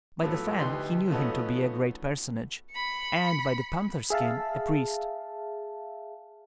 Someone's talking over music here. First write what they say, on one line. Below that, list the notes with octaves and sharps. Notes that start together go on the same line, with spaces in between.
By the fan he knew him to be a great personage, and by the panther skin, a priest.
A2 F3 F#3 A3 B3
D2 D#4 G4 B4 C6
F3 A3 B3 C#4 D#4 F#4
B5 C#7
G#4 E5 F5 A5